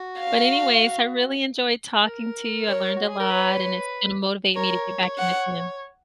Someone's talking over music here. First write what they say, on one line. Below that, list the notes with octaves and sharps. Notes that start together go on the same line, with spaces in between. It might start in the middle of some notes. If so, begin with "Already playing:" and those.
but anyways, I really enjoyed talking to you. I learned a lot and it's gonna motivate me to get back in the gym.
Already playing: F#4
F5
A#4
C#5
F#4
G#4
A#4
B4 C#5
A#4 C#5
F#5